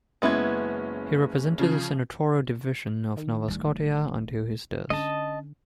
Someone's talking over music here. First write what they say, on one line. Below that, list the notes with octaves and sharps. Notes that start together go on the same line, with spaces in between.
He represented the senatorial division of Nova Scotia until his death.
F#1 G#3 B3 C#4 E4 G#6
C#3 F3
D#3
D1 G3
D3 C#4 D#5 A5